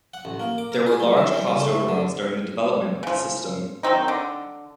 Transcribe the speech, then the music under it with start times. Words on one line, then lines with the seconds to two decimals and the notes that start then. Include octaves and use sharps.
There were large cost overruns during the development of the system.
0.14 F#5
0.25 A1
0.40 A#3
0.58 D6
0.72 A#4
0.86 G#4
1.00 G3
1.17 E3
1.33 G3
1.48 C#3
1.60 A3
1.89 D3
3.03 C#3 F3
3.83 D#3 F#3 C4 D#4
4.08 D3